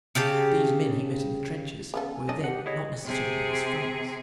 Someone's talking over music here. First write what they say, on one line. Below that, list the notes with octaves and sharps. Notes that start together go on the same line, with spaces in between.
These men he met in the trenches were then not necessarily his friends.
C#3 G4 A5
C#3 B3 A4
G#5
F#2 D4 A4 D#5
G4 F#5
E4 G#4 C#5 D#5
C3 G#4